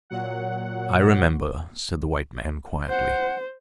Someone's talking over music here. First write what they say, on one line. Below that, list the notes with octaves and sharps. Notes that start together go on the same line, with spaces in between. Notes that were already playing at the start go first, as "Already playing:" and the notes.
"I remember," said the white man, quietly.
A#2 F#3 F#5
C5 F#5